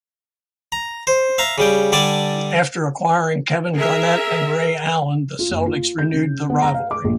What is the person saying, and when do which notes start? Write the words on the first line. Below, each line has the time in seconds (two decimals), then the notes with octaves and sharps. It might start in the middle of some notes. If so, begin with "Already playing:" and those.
After acquiring Kevin Garnett and Ray Allen, the Celtics renewed the rivalry.
0.72 A#5
1.07 C5
1.38 E5 F5 A#5
1.58 C#3 G3 G5
1.92 D3 G3 D5 G#5 A5
3.75 G#4 A#4 E5
5.39 F4
5.50 F#1
5.66 F4
5.99 G6
6.13 C#3
6.50 B3
6.62 A#5
6.74 F5
6.91 D6
7.04 A#1